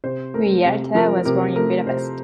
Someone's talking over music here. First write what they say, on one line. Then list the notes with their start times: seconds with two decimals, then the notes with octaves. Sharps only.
Gyurta was born in Budapest.
0.04 C3 C5
0.34 A3 A#4
0.65 C3
0.95 F3 A#4
1.25 C3 A#4
1.56 A3 A#4
1.86 C3 C5